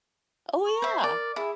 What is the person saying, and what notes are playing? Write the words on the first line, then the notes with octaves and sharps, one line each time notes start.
Oh, yeah.
C#6
C5 E5
A#4 D5
E4 G#4